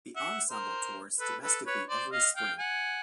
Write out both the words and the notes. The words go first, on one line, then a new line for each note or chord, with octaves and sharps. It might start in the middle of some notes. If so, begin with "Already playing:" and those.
The ensemble tours domestically every spring.
E5 F#5
A#4 C5
A4 B4
A4 B4
B4 C#5
C5 D5
D#5 F5
F5 G5
F#5 G#5